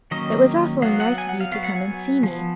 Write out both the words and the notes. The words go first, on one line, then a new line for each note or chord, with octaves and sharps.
"It was awfully nice of you to come and see me."
D#3 F#3 A#3 C#4 D#5
F#3 B3 F5
F#5
G#5
F#5
F5
F#3 B3 F5
F#5
G#5
F3 B3